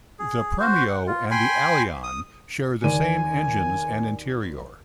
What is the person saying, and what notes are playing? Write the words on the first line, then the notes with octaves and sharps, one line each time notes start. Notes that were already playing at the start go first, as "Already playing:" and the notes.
The Premio and the Allion share the same engines and interior.
G#4
F#4 C5
F#5
F4
G5 G#5 B5 C6
D#6
D#2 D5 G#5 D#7